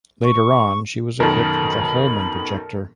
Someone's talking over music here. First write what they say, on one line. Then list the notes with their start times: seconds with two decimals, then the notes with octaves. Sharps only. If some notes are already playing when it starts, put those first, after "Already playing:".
Later on, she was equipped with a Holman Projector.
0.24 C#6
1.20 F#2 B2 D#3 A4 A#4 B5